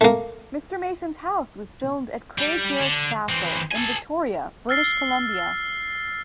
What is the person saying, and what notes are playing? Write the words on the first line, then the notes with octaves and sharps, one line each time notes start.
Mr. Mason's house was filmed at Craigdarroch Castle, in Victoria, British Columbia.
A3 A#3
G3
D3
E3 C4
A4 G#5
E6 F6 A6 C7